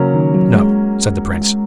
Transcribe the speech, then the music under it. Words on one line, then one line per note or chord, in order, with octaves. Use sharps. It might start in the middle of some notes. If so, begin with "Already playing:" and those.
'No,' said the Prince.
Already playing: C#3 F#3 A#3 C#4
D#3
F#3
G#3